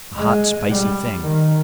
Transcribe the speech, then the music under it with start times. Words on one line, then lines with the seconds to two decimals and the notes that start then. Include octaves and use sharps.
A hot, spicy thing.
0.16 G#3
0.69 G3
1.21 D#3